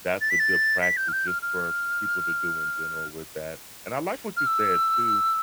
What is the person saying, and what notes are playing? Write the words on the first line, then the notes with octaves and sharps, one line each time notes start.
that's a good practice just for people to do in general with that. And I like what you said, too,
A6
B6
A6
B6
G6
F6
G6
F6
F6
F6
E6